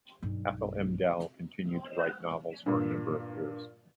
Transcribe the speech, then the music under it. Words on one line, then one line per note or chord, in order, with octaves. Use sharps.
Ethel M. Dell continued to write novels for a number of years.
B1 G2
G2 A#2